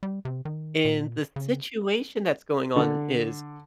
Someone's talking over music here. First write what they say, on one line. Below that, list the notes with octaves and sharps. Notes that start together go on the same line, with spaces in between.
and the situation that's going on is
G3
C3
D#3
A#2
C#3
D3